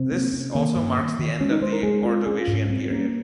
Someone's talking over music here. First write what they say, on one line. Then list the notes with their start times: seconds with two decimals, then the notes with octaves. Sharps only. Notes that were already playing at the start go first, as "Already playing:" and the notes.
This also marks the end of the Ordovician period.
Already playing: C3 C4
0.12 A#3
0.33 C#4
0.55 D#3 A#3
0.75 G2
0.98 D#3
1.19 D#3
1.41 G#3 C#4
1.51 D#4
1.61 G#3 C5
1.73 A#4
1.83 G#3 G#4
2.05 C4 F4
2.26 C#4 G#4
2.40 F4
2.47 G#2
2.55 C#4
2.69 G3 C4
2.90 A#3 C#4